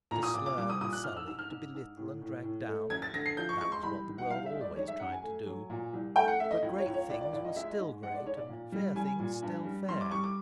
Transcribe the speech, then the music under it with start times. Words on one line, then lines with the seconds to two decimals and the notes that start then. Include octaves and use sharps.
To slur and sully, to belittle and drag down--that was what the world always tried to do. But great things were still great, and fair things still fair.
0.11 A#2 A#5
0.23 D#6
0.34 A#2 D6
0.46 D6
0.57 G3 D6
0.70 D#6
0.81 A#2 D#6
0.93 F#6
1.04 G#2 F6
1.16 E6
1.27 G#2 E6
1.39 F6
1.51 G#2
1.74 G#2
1.97 A2
2.21 A2
2.43 A2
2.67 A3
2.90 F#2 G#6
3.02 A6
3.13 D3 A#6
3.26 C7
3.37 F3 G6
3.49 C#6
3.61 G#3 C#6
3.72 C6
3.83 C2 B5
4.07 D#3
4.18 F#5
4.30 C2 F5
4.46 E5
4.53 G#3
4.61 D5
4.76 D#3 C#5
4.88 E5
5.00 F#2 F#5
5.12 G#5
5.23 A3
5.46 F#3
5.70 A#2
5.93 C2
6.16 A3 G5
6.28 F#5
6.39 A3 E5
6.51 D#5
6.63 C#2
6.78 C#5
6.86 C#2
6.94 C#5
7.09 C#2 D5
7.21 D5
7.33 C#2 D5
7.45 D#5
7.56 G#3 E5
7.71 D#5
7.79 G#2
8.03 G#3 F#5
8.14 D5
8.25 G#2 C#5
8.37 D5
8.49 A#2
8.72 G3
8.95 G3 G#5
9.19 A#2
9.42 G2
9.65 G3
9.88 G3 C6
10.01 D6
10.11 G3 C#6
10.24 D6